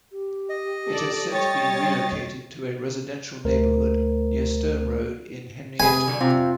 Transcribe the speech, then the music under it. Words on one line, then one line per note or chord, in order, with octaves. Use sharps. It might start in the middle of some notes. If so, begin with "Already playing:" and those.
It has since been relocated to a residential neighborhood near Stone Road in Henrietta.
G4
D#5
A4 D5
G3 C#5 G5 A6
D2 A3 A#4 C5
C3 G#4 B4 G#5
D3 F#3
C3 C4 F4